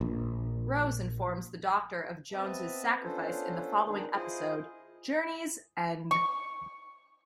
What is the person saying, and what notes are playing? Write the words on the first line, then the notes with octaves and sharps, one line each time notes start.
Rose informs the Doctor of Jones' sacrifice in the following episode, "Journey's End".
A#1
B3 C4 B4 D#5 E5 A5
B3 C#4 D4 F4 A4 C5
D#3 D4 D#4 G#4
E4 F4 G#4 C5 D#5
C#6